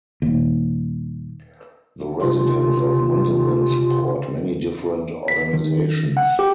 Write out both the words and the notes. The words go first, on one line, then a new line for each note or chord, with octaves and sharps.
The residents of Monument support many different organizations.
D#1 D#2
C3 F4
B6
D#3
F#5
G4